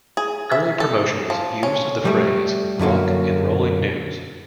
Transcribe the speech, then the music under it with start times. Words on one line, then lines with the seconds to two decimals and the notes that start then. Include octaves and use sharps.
Early promotions used the phrase "rock 'n' rolling news".
0.17 G#4
0.52 E5
0.80 A4
1.30 F3
1.63 C#4
2.05 G3 A3
2.79 F#2 D3 F#3 A#3